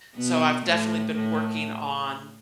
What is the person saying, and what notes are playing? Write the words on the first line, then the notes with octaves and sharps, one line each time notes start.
So I've definitely been working on
B2 B3
A2 A3
A2 A3